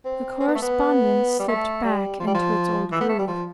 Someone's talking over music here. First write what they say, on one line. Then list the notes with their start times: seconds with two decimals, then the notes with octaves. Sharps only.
The correspondence slipped back into its old groove.
0.05 C4
0.40 C4
0.48 B3
0.55 A3
0.62 B3
1.39 G3
1.48 A3
1.84 G3
2.20 F3
2.27 G3
2.35 F3
2.92 E3
3.01 B3
3.09 A3
3.19 G3
3.27 F3